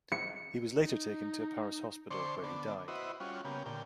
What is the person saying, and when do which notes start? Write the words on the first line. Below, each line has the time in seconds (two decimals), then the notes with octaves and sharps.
He was later taken to a Paris hospital, where he died.
0.12 C#7
0.76 D#4
2.11 D3 C4 D4 C5 C6 C#6
2.44 D3 B3 D4
2.88 E4 F#4 B4 C5 D#5
3.20 G3 C#4 F4 F#4
3.45 C#3 A#3 B3 G4
3.66 A#2 D3 G5